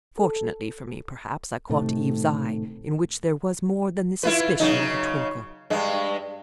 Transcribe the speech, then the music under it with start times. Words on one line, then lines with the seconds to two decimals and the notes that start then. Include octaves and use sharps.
Fortunately for me, perhaps, I caught Eve's eye, in which there was more than the suspicion of a twinkle.
0.18 A4
1.69 A2 C3 D#3 A3
4.23 E4 F4 B4
4.60 C#3 F#3 D#4
5.70 G2 G#3